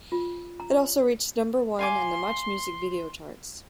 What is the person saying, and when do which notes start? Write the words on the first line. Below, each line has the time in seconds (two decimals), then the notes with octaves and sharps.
It also reached number one on the MuchMusic video charts.
0.12 F4
0.60 A#5
1.79 F5 G#5 C6 D6